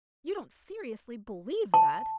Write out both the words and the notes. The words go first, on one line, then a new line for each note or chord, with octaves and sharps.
"You don't seriously believe that?"
A5